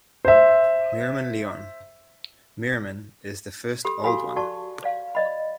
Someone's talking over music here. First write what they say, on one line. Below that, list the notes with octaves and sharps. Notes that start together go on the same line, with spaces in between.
Merriman Lyon: Merriman is the first Old One.
C5 E5
G4 A4 B5
F#4 A4 C#5 F5 G#5 B5
F#4 D5 A5 C#6
C#5 D5 F5
D5 D#5 B5